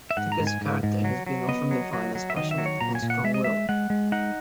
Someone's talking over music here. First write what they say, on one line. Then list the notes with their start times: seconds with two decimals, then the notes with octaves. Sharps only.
Tucker's character has been often defined as passionate and strong willed.
0.11 E5
0.17 G#2 F#5
0.32 A#5
0.40 G#2
0.47 G#5
0.61 G#2
0.83 G#2
1.04 F#3
1.27 F#3
1.49 B3 D#5
1.71 F#3
1.93 F#3
2.15 F#3
2.30 E5
2.36 D#3 D#5
2.51 E5
2.58 F#3
2.66 C#5
2.81 A#2 A#5
2.95 G#5
3.02 A#2
3.10 F#5
3.24 G#3 E5
3.34 D#5
3.44 G#3 E5
3.69 G#3 F#5
3.90 G#3
4.12 D#4 F#5